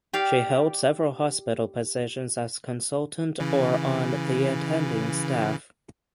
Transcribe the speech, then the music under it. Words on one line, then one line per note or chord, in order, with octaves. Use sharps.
She held several hospital positions as consultant or on the attending staff.
G4 D5 F5
C#3 E3